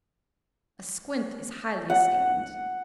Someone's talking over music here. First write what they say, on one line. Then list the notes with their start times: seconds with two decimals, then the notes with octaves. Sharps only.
A squint is highly esteemed.
1.90 F#5